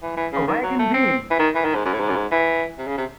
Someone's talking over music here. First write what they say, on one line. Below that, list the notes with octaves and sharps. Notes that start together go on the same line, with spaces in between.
A wagon wheel!
E3
E3
C#3
D#3
F#3
A3
C4
E3
D#3
E3
D#3
G#2
F#2
A2
G#2
F#2
G#2
E3
C3
C#3
C3